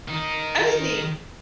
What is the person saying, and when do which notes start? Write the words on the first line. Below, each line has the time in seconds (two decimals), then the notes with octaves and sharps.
I just need
0.08 D#3 D#4